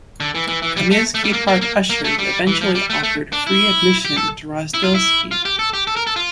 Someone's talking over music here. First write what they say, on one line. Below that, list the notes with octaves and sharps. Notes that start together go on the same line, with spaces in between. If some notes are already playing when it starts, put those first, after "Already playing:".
Comiskey Park ushers eventually offered free admission to Rozdilsky.
D3
E3
E3
E3
G3
A3
A3
G3
A#3
A#3
A#3
A#3
A3
G3
E3
F3
G3
A3
A3
D4
E4
G4
A4
E4
F4
E4
F4
G4
A4
G4
A4
A#4
A4
F4